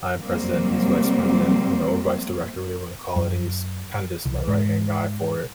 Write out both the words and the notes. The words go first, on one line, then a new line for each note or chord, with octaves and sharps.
I'm President, he's Vice President, you kno or, Vice Director- whatever you wanna call it- and he's kinda, just my right-hand guy for it.
C3 F#3 G3 A#3 C4
F#2
C2
G#2